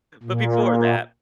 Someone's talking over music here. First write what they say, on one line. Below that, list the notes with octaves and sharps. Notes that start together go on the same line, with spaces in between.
but before that,
A#2